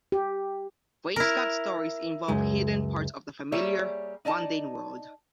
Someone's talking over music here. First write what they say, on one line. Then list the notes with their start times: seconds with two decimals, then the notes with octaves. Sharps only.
Wainscot stories involve hidden parts of the familiar, mundane world.
0.12 G4
1.16 E4 A#4
2.28 C#2 F#2 G#3
3.52 G3 A#3 G#4 C#5 D5 E5
4.25 D#4 D5 D#5 A5